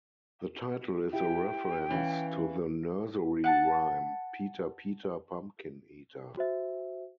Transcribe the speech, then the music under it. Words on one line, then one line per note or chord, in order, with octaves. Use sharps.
The title is a reference to the nursery rhyme "Peter Peter Pumpkin Eater".
E4 G4 G5
E3 C#4 F5
F#5 A5
F#4 C5 E5